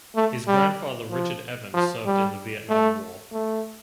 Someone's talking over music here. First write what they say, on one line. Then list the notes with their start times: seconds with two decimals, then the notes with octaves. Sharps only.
His grandfather Richard Evans served in the Vietnam War.
0.15 A3
0.47 G3
1.10 F3
1.74 F3
2.06 G3
2.69 A3
3.32 A3